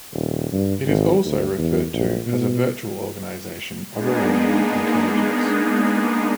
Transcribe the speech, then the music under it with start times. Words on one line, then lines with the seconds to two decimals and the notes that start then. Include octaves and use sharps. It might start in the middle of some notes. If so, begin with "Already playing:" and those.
It is also referred to as a 'virtual organization' of Iranian intelligence.
0.13 D#1
0.53 G2
0.86 G#1
1.26 D2
1.58 E2
1.94 A#1
2.26 B2
3.93 G#3 A#3 B3 D4 D#4 G#4